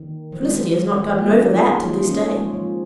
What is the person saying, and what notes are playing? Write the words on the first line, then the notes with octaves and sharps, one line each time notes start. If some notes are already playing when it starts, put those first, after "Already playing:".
Felicity has not gotten over that to this day.
Already playing: D#3
F3
G#3
F3
F3
A#3
C#4
D#4
F4
G#4
D#4
D#4
C#4
G#3
F3